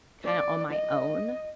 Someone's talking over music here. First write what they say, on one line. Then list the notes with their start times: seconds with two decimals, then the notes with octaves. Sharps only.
kinda on my own,
0.25 D5
0.71 D#5